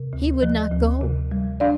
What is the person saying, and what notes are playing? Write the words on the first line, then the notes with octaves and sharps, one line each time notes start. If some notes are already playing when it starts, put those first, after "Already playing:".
He would not go.
Already playing: C3
D2
F3
D2
C3
G3
D4 D5 F5